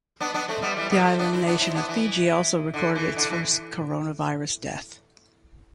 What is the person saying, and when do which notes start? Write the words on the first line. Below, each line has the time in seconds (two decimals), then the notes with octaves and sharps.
The island nation of Fiji also recorded its first coronavirus death.
0.20 B3 D4
0.34 B3 D4
0.48 A3 C4
0.62 G3 B3
0.77 E3 G3
0.90 G3 B3
1.05 A3 C4
1.19 B3 D4
1.33 C4 E4
1.46 B3 D4
1.61 C4 E4
1.75 B3 D4
1.89 E3
2.74 D3
2.95 E3
3.16 D3
3.30 E3